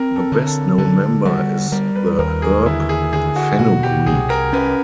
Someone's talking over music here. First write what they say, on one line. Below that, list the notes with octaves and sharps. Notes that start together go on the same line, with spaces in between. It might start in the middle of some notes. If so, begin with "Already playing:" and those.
The best known member is the herb fenugreek.
Already playing: C4 A#4
A4
D3
A4
D3 A4
G3 F#4
G3 A#4
B4
D#2 A#4
G#4
D3 E4
G#4
D3 G#4
F#4
B2 F#4
G4
C2 G#4
A#4
C#4 B4